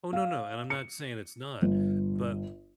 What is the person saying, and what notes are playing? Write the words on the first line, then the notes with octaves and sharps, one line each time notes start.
Oh, no, no. And I'm not saying it's not, but
F5
C#7
G1